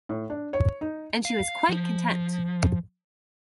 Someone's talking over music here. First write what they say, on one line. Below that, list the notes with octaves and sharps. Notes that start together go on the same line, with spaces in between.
And she was quite content.
A2
D4
C#5
D#4
F5
F3